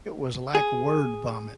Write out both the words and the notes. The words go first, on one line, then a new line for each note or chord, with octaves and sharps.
It was like word vomit.
G#4